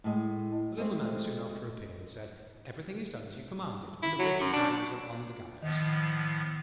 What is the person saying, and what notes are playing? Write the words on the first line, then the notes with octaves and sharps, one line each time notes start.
The Little Man soon after appeared, and said: 'Everything is done as you commanded, and the Witch hangs on the gallows.
A2 G#3
G#3 A3 C4
E4
F#3
F#2
D4
A2 D#3 F3 B3